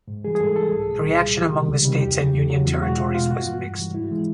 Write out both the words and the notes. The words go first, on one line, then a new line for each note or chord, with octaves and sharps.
The reaction among the states and union territories was mixed.
G#2
E3 G3 G#4
G#4
G#2 A4
E3 G3 A4
C2 G#4
A#2 G3
C2
A#2 G3
C#2 G4
C3 D#3 G3
C#2
C3 D#3 G3
E2 G4
C#3 F#3
E2
C#3 F#3
E2 F#4
B2 G#3 F#4
E2 F4
B2 G#3 F4
G2 F#4
E3 G3
G2
E3 G3
G#2 E4
E3 G#3